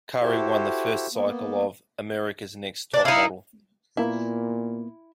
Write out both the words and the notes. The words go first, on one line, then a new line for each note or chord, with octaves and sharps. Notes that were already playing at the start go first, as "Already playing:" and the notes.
Curry won the first cycle of "America's Next Top Model".
E4 F#4 G4 A4 C5
A#3 B3
D4 D5
D#4 E4 F5
A#2 A#3 B3 E4